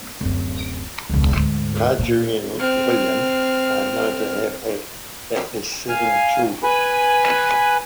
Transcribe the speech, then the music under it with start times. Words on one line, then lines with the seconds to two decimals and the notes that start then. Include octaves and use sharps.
Marjory and William are known to have had at least seven children.
0.21 D1 F#2
1.10 E1 C#2
1.33 D2 G#2
1.99 A#2
2.59 C4 F6
5.88 F5 G#5
6.63 B4 G#5 B5